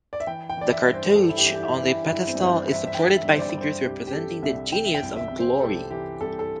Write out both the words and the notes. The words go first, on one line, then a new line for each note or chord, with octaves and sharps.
The cartouche on the pedestal is supported by figures representing the genius of Glory.
D5
E5
E3 G5
G5
E3 D5
E5
G2
C5
G2 A4
E4
G4
E3
G4
E4
E3
E4
G2 E4
C4
G2
C4
D4
E3
E5
E5
E3 G5
E5
G2
C5
D5
G2
C5
C2 G4
G4
C3 A4
C2 E5
E3 G5
E5
G5
C2
E5
C3
C5
G4
C2 A4
E3 G4
C2 A4
A4